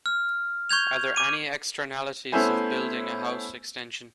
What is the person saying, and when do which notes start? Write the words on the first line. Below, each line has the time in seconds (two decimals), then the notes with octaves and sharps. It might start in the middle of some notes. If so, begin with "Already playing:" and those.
Are there any externalities of building a house extension?
0.06 F6
0.70 C#6 G6 G#6 F7
1.16 D6 D#7
2.32 A3 B3 C#4 E4 C5 G#5